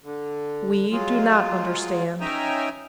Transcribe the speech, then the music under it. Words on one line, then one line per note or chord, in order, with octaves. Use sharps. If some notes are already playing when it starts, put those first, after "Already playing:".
We do not understand.
D3
F#3 G#3 F4
C#4 D#4 E5 G5 G#5 A#5